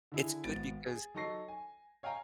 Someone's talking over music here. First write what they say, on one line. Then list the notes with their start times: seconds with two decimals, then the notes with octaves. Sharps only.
it's good because
0.12 D3 E4 G#4
0.44 G#1 B3 A6 D7
0.86 G#4
1.14 F#3 D#4 A4 C#6 A#6 C7
1.48 G#5
2.03 C#5 F5 G5 G#5 A#5